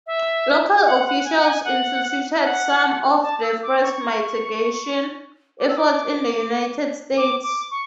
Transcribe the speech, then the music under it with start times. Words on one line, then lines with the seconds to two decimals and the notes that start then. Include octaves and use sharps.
Local officials instituted some of the first mitigation efforts in the United States.
0.07 E5
0.86 F#5
1.06 F#5
1.25 G#5
1.39 F#5
1.46 G#5
1.64 F#5
2.43 F#5
3.22 A5
3.43 E6
3.63 D6
3.82 C#6
5.60 D6
5.68 E6
5.77 D6
7.17 D6
7.43 D6
7.71 C#6